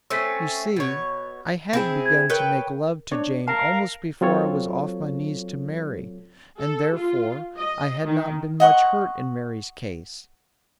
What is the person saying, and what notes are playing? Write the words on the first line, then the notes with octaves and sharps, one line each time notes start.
You see, I had begun to make love to Jane almost before I was off my knees to Mary, and, therefore, I had not been much hurt in Mary's case.
A3 C4 C#4 E6 B6
B2 C#5
C4 E4 G#4
G#6
A#4 B4 C#5 G5
D4 C#5
A#4 F5 A5
F#3 C4 F4 A4 C#5
A4
F4
D#5
D#3
D#5 F#5 C6 C#6